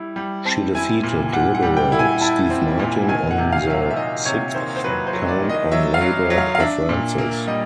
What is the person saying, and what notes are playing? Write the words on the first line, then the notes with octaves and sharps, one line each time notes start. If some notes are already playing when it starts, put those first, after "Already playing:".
She defeated Liberal Steve Martin on the sixth count on Labor preferences.
Already playing: G3 E4
G3
C4 A5
E4 G#5
A#2
A#2 F#5
F#5
G3
G5
E4
G#5
E4 A5
C4
A#2
D#3 G#5
F#5
C3
F5
F#3 E5
F5
E5
D#3 D#5
C3 C#5
D#3 C5
C5
F#3 B4
C5
F#3
D5
D#3
D#5
F#3 E5
F5
F#3
F#3
F5
F5
D4 E5
A#2
A#3
G3 D#5